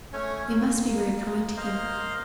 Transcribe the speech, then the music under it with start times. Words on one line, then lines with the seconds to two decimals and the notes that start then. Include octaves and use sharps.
We must be very kind to him.'
0.13 A3 C#4 C#5 G#5
0.51 A#3
1.57 A#3 C5 D#5 F5